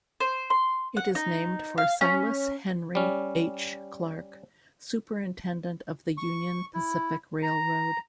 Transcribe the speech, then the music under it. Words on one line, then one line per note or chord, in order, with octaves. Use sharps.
It is named for Silas Henry H. Clark, superintendent of the Union Pacific Railroad.
C5
C6
F#5
D#4
F5
C#4
G3 C#4
C#6
E4
A#5